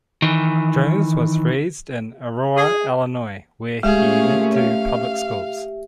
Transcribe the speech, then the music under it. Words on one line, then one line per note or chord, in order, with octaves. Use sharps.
Jones was raised in Aurora, Illinois, where he went to public schools.
D#3 E3
G#4
A#2 G#3 A3 C#4 G4 G#4 E5 F5
F5